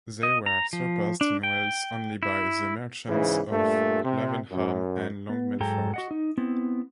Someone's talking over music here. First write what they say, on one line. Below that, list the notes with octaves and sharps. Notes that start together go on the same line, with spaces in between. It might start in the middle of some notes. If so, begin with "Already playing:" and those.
They were surpassed in wealth only by the merchants of Lavenham and Long Melford.
D#5
A#5
F3
D4
G5
E4
G#2 C#3 E3
G2 A#2 A3
C3
F#2
B3
G#2 F#3 G#4 A4 G5 A#5
F#4 D#5 F#5
D#4
B3 C4 E4